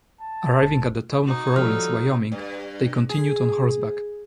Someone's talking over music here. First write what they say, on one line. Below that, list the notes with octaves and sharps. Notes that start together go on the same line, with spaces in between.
Arriving at the town of Rawlins, Wyoming they continued on horseback.
A5
E1
D#4 F#4
F3 G3 C#4 A4 F6
G2
G#4